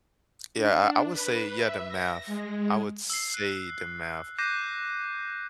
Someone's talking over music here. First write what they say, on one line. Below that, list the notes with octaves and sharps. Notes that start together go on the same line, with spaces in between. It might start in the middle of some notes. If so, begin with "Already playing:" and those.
Yeah, I I would say yeah, the math, I would say the math,
D4
B4
E5
A#6
G#3
E6 C7
F#6
D6 F#6 G6 A#6 C7 D#7